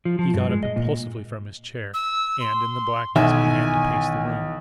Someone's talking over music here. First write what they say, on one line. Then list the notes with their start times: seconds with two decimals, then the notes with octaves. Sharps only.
He got up impulsively from his chair, and, in the blackness, began to pace the room.
0.05 F3
0.19 F3
0.34 G2
0.49 G#3
0.63 D#5
0.76 A#2
1.94 E6
2.40 C6
3.16 B1 D#3 E3 E5 G#5